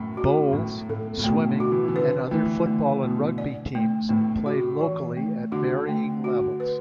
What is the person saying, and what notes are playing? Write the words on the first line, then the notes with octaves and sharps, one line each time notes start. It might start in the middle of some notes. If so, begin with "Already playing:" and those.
Bowls, swimming and other football and rugby teams play locally at varying levels.
Already playing: F#2 A2 A3
F#4
F#2
A2 A3
A2 A4
A2
B2 A3
D3
F#4
E3
E3
D3 B4
E3 A3
D3 A3
B2 A3
D5
A3
A2 A3
F#4
E3
A3
D3 F#4
A3
F#4
B4